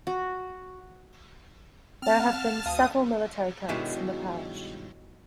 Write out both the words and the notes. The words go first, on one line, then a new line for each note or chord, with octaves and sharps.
There have been several military camps in the parish.
F#4
C4 A5 F6
F5 F#5
D2 F5 A5 D#6
G2 B2 D#3 F#3 G#3 E4